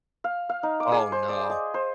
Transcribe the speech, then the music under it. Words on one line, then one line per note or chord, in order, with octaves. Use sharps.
Oh, no.
F5
F5
D#4
D6
G#4
C5
D5
D#5
C5